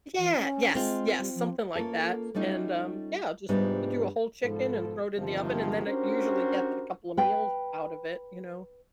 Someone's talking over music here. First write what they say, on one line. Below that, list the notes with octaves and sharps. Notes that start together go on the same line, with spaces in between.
Yeah, yes, yes, something like that, and, um, yeah, I'll just do a whole chicken and throw it in the oven, and then it usually gets a couple of meals out of it, you know,
E3
C#4
G#3 C4 F4
G3
F3
A#3 C#4 F4 A4
G3 A3 C#4 D#4 F4
G#2 C3 G3 B3 D4 F4
G#2 B2 F3 A4
G1 C3 D#3 F3
C#4 D4 F#4 G4 A#4 C5
B4 G5